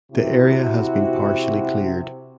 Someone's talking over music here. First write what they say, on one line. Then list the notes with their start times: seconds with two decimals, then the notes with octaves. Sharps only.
The area has been partially cleared.
0.12 C3 E4 F#4